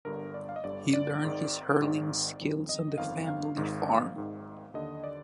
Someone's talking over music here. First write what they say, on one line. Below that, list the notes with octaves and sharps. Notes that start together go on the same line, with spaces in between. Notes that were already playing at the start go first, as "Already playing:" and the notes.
He learned his hurling skills on the family farm.
G1 G2 D3 A#4
D5
F5
D#5
G1 G2 D3 D5
D5
G#1 G#2 D#3
G#1 G#2 D#3
G1 F2 D#3
D#5
G1 F2 D#3 F5
F5
G#1 G#2 D#3
G#1 G#2 D#3
D#2 D3 D#5
D5